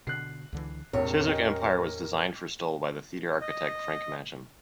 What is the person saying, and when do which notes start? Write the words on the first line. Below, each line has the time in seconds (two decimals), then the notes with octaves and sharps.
Chiswick Empire was designed for Stoll by the theatre architect Frank Matcham.
0.07 B2 D3 F#6 C7
0.52 C#2 D3 E3
0.93 E1 A#1 E2 A2 C3 A#4 C#5
1.26 C#4 G4 D#5
3.41 D#5